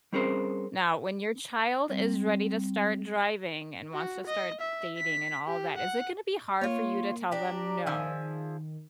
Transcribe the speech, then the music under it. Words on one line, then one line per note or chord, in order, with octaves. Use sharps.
Now, when your child is ready to start driving and wants to start dating and all that, is it gonna be hard for you to tell them "no?"
G3 C4 C#4 G#4 A#4 C5
G3 C4
F#4
D#5
E5
B6
G4
F#5
A#3 F4 C#5
D4 G4 A#5
D#3 F3 G#4 E5